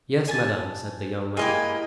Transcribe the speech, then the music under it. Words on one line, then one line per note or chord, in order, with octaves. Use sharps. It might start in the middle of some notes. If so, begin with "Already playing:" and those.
"Yes, madame," said the young man.
G#5 A5
G#3 A#3 E4 G4 D#5 G#5